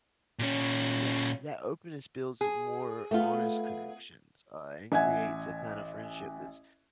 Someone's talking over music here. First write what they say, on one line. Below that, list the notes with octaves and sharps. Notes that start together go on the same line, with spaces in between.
that that openness builds more honest connections, uh, and creates a kinda friendship that's
A#2 C#4
G#4
A3 B3 F4
A1 E5 F#5 G#5 G#6